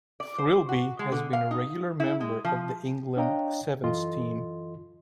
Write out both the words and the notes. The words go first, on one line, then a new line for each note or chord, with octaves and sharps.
Thirlby has been a regular member of the England Sevens team.
D5
C5
F#4
G#3
D3
F5
D#4
E4
G#3
F3
D4 C#5 D#5 F5 G5 A#5
F#2 E3 F4 A4 D#5 C6